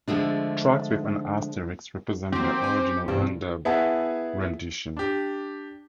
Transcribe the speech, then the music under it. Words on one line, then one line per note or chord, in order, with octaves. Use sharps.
Tracks with an asterisk represent their original undubbed renditions.
D3 F3 G#3 A3 D4
D#3 F#3 A#3 C4 G4
G#5
G2 B2 E3 C4
B3 E4 G#4 E5 F#5 A5
D4 G4